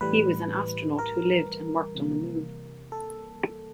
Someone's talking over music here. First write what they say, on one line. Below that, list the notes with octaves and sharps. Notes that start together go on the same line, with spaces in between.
He was an astronaut who lived and worked on the Moon.
A2 E3 G3 B4
A#4
C3 E3 G3 A#3
A4